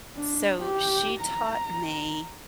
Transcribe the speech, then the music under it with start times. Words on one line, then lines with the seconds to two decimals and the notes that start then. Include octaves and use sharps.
so she taught me
0.17 D4
0.62 G4
1.20 A#5